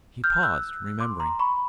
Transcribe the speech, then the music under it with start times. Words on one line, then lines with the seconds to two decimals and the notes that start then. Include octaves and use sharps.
He paused, remembering.
0.24 F6 G6
0.43 E6 F#6
1.00 C6 D6
1.20 A#5 C6
1.39 B5 C#6